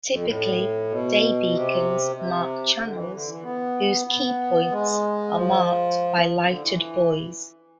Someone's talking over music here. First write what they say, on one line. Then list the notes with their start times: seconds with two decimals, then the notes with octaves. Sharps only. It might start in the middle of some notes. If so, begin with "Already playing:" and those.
Typically, day beacons mark channels whose key points are marked by lighted buoys.
0.09 F2
0.26 A2
0.90 B2
1.53 C3
2.16 C3
2.79 D3
2.96 E3
3.12 D3
3.27 E3
3.43 B3
4.07 B3
4.71 G#3
5.34 F3
6.29 F3
6.40 E3
6.46 D3
6.61 E3